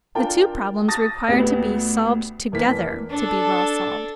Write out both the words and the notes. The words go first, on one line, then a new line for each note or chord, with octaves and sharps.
The two problems require to be solved together, to be well solved.
D4 F4 A#4 G5 A5
A5 D#6 A6 A#6
D2 B3 G4
F1 E3 A#3 B6
D4 A4